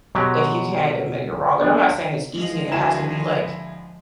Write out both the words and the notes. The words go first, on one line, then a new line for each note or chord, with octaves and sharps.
if you can't admit you're wrong, and I'm not saying it's easy and it has to be like,
B2 F#3 G#3 G4
B3 D4
F3 G#3
D2 D3 E4 F#4 G#5 E7